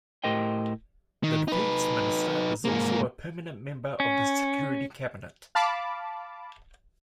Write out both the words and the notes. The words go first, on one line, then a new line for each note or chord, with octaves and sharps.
The Defense Minister is also a permanent member of the Security Cabinet.
A2 G4 A#4 C5 D#5 G5
D#3
D#4 B4
G#2 A#3
C#4
F5 A5 B5 D6